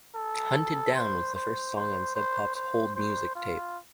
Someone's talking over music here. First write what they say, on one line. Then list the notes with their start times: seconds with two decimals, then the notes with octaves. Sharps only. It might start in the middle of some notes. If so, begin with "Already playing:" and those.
"Hunted Down" was the first song on Sub Pop's "hold music" tape.
0.15 A4
0.95 C5
1.35 C5
1.75 C5
2.15 C5
2.55 C5
2.95 C5
3.35 F4